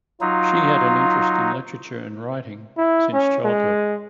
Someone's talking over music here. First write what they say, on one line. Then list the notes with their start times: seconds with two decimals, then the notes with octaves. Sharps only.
She had an interest in literature and writing since childhood.
0.21 F#3 D#4 F4
2.77 E4
3.13 C#4
3.45 G#3